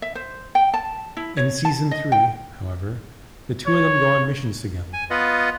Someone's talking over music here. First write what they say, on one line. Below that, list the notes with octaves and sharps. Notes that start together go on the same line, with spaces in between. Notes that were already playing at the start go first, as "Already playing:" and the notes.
In season three, however, the two of them go on missions together.
E5
C5
G5
A5
E4
C#5
A5
D#5
G5
C#5
G#5
B3 F4 B4 D#5 F#5